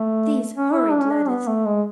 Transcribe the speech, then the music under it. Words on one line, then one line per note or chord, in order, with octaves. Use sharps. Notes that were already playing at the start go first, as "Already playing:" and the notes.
These horrid ladders.
Already playing: A3
C#4
E4
D4
C#4
D4
B3
A3
G#3